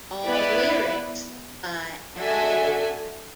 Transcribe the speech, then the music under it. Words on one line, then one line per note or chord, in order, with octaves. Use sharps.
All lyrics by Albarn.
B3 E4 B4 D5
D4 F#4 A4 E5 G#5